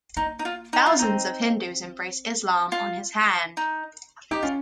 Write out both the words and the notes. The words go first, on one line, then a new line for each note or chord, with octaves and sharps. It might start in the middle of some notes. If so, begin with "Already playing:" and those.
Thousands of Hindus embrace Islam on his hand.
A#3 D#4
D#4
F4
D#4
F4
C4 D#4
F4
D#4
D#4 G4
C#4 F4